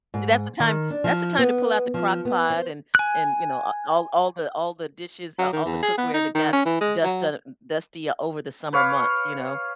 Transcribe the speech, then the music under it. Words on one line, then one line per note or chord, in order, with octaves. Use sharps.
See, that's the time that's the time to pull out the Crock Pot and and, you know a all all the all the dishes, uh, all the cookware that got dust on dusty over the summer months, you know.
G#2
D#3
D4
F3
B3
F3
B3
C5
G#5 F#6
F#3
D#3
E2
G#4
B3
D#4
D#3
C#4
E3
G#3
F#3
B4 C#5 F5 D6